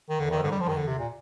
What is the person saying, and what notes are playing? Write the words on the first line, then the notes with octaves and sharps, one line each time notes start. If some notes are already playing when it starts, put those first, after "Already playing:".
Well, I don't blame you.
D#3
D3
D#3
D3
G3
F3
D#3
D3
C3
A#2